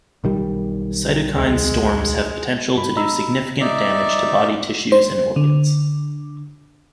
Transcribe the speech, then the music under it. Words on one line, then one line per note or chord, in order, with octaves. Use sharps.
Cytokine storms have potential to do significant damage to body tissues and organs.
B1 D#3 G3
D2 G#3
G2 B5
D#5 A#5 B5 E6
D#4 D5 E5
C5
D3